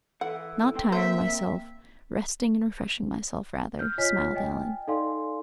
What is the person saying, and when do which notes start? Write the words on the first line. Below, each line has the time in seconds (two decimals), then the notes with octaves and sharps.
"Not tiring myself--resting and refreshing myself rather," smiled Alan.
0.21 E3 A4 F#5
0.75 C4 G5
0.92 A#3 C5 E5
3.79 F6 G6
3.98 F4 C#5 D#5 G#5 F6 B6
4.35 D#5 G5 G#5
4.87 D#4 A4 D5 F5 G#5 C6